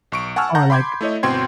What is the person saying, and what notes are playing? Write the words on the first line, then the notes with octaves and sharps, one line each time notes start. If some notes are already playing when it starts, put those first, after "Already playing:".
or, like
B1 C#6 D7
F#5 G#5 A5 C#6 E6 F6
F#5 A5 A#5 G6
B5 C6 D6 G6 G#6
A3 E4 C#5 D#5
G1 B2 C4 G5 C6 G#6